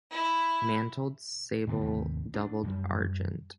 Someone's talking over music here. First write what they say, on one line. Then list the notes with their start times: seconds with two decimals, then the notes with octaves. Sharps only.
Mantled sable doubled argent.
0.11 E4
1.67 G2 D3 B3 D4
1.81 G#1 D#2 C3 A3
2.34 D4
2.63 F#2 G3